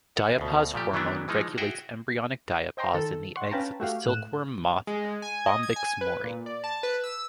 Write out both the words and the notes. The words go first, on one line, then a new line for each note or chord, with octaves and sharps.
Diapause hormone regulates embryonic diapause in the eggs of the silkworm moth, "Bombyx mori".
F#5
D2 B2
A#2 F3 A3 G4
D#3 E3 F#3 A3 B3 D4
E3 F3 G#3 D#4
F#4 G#4 E5 G5
C5 D#5 G5 A#5 C6
D#3 A4
F#5 C6 C#6
C#4 B4 F5 G5 A5 A#5
A3 F#4 G4 F5
A2 F#6 E7
G#3
G#5
D#5
G#6
G#5
B4
A#2
D5
A5
B4
E6